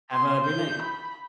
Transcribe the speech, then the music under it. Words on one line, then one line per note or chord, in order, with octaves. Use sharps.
Have a great night.
C6
G6
B5